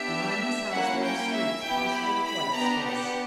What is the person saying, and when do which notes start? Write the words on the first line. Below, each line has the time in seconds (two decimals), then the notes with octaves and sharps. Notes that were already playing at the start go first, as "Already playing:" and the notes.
Behind this house, there were streets, possible flight, space.
Already playing: B3 D4 G4 E5
0.71 A#3 C#4 E4 F#5
1.03 G5
1.34 E5
1.63 B3 E4 G4 G5
1.95 B5
2.26 B5
2.56 B3 D4 G4 A#5
2.87 F#5